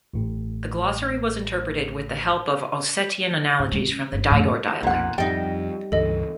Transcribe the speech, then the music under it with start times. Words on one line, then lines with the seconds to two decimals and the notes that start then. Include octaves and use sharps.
The glossary was interpreted with the help of Ossetian analogies from the Digor dialect.
0.14 A1 A2
3.59 G#2
3.72 D#3 G#3
3.88 C#4
4.12 G1
4.31 F2 A2
4.83 B1 F2 A#2 F#5
5.18 F2 G3 D#4 G5
5.92 C#2 G2 E3 A4 D#5